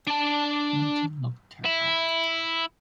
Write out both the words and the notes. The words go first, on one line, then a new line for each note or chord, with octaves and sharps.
Linton looked terrified.
D4 A5
E4